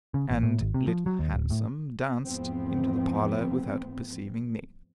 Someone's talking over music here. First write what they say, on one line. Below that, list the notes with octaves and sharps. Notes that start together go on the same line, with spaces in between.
And Little Handsome danced into the parlor, without perceiving me.
C#3
A1
A2
G#1
C3
F3
F#3
D#2
D1
A2
E2 G#2 F3 A3 B3 C4